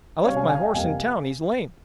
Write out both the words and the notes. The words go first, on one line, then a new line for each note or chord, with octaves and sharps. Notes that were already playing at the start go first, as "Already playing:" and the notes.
"I left my horse in town--he's lame."
C3 G3 C#4 C#5 F5
F5 G#5
F5 G#5
D#5 G5
F2 C3 G3 A#3 F5 G#5